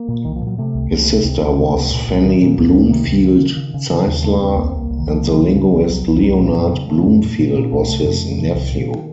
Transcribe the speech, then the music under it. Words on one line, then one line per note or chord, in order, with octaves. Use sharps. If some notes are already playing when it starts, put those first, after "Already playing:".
His sister was Fannie Bloomfield Zeisler, and the linguist Leonard Bloomfield was his nephew.
Already playing: A#3
A#2
C2 D#3
F3
A#2
F#3
C3 A3
C2
C2
C3
C#2 C4
C#2 A#3
A3
C3
A#3
C#2
A3
A#2 A#3
C2
A#2 D#3
A#2
C#2
C#2
C3 D#3
C#2
C#3
C#3
C#3
C#3
C#3
D#2
C#3 A3
D#2 C4
C2 A#3
C4
C2 A#3
C2
D#3
C2 F3
C#3 F#3
C#2
C#3
C#2
C2 F#3
C2
C2 F#3
A#2 A3
F#3
F2
C#3
C#3 A3
F2
A#2
A#2
A#2 A#3
C2 A3
C3 A3
F2 A3
C3
D#3
C3 F3
C2 D#3
A#2